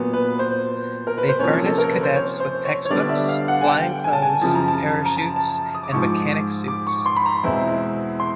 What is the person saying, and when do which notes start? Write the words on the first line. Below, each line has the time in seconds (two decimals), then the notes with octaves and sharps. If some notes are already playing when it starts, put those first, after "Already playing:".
They furnished cadets with textbooks, flying clothes, parachutes, and mechanic suits.
Already playing: A#2 F#3 B3
0.13 B4
0.39 C5
1.07 A#4
1.18 B4
1.29 C5
1.39 C3 F3 A#3 C#4 C#5
1.65 A4
1.78 A#4
1.90 B4
2.03 C5
2.15 C#5
2.40 C5
2.65 C#5
2.85 C#5
2.90 D3 G3 B3 D4 D5
3.09 E5
3.29 F5
3.48 F#5
3.61 G#5
3.67 G5
4.04 G#5
4.13 A5
4.22 G#5
4.41 F#2 C#3 F3 A5
4.55 A#5
4.68 A5
5.06 A#5
5.17 A5
5.36 A5
5.75 D#6
5.83 D6
5.92 G#2 F3 G#3 C#6
6.02 D6
6.68 D6
6.87 C#6
7.06 C6
7.16 B5
7.26 A#5
7.43 E2 B2 G#3 C4 E4
8.20 C6